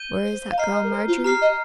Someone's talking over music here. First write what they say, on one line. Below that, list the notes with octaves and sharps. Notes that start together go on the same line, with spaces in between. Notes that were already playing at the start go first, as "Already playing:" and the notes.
Where is that girl Margery?'
Already playing: G6 D#7 G7
C5
F5
D#5 A#5 F6 C7
D#5
A#4
C5
F4
G4 A#5 F6 C7
D#5